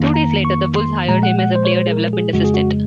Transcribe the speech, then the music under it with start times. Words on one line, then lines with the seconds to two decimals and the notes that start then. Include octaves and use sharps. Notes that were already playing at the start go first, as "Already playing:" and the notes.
Two days later, the Bulls hired him as a player development assistant.
Already playing: F2 D#3 A#3
0.14 A#5
0.45 C#6
0.76 C6
1.08 A#2 F3 G#3 A#5
1.23 F#5
1.39 F#5
1.55 C5
1.65 C#5
1.71 C5
1.87 G#4
1.92 A#4
2.13 G#4
2.33 F2 C#3 G#3 F#4
2.44 G#4
2.54 F#4